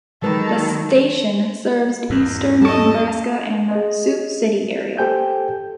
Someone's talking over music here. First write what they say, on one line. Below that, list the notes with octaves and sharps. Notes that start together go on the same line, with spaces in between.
The station serves eastern Nebraska and the Sioux City area.
D#3 F#3 G#3 A4 B4
E2 G#2
G3 A4 D#5 A5 C#6
G#4 D#5
G4 A4 C5 G5 G#5 G6